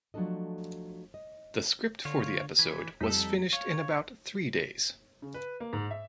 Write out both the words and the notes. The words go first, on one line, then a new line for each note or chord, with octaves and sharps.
The script for the episode was finished in about three days.
F3 F#3 A3 D4 A4 D#5
D#5
D3 F4 C#5
E3 G#6 B6
F2 G3 D#4 A4 B6
C#5 F5
C#3
B4
A#3
G#2
E5